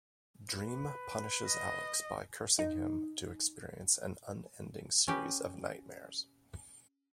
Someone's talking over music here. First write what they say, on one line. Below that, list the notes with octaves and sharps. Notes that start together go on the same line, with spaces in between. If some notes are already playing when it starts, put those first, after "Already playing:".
Dream punishes Alex by cursing him to experience an unending series of nightmares.
B4
D#5
D#4
C#4 G4 B4